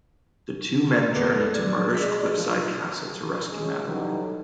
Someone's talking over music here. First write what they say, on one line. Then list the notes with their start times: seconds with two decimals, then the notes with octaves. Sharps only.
The two men journey to Murder's cliffside castle to rescue Madeleine.
1.15 E2 B4
1.34 A4
1.54 D5 G#6
1.94 G#3 D#5 B6
2.37 F3
3.49 C#3 G#3 C#4
3.87 E3 F#3 G3 D#4 A4 C#5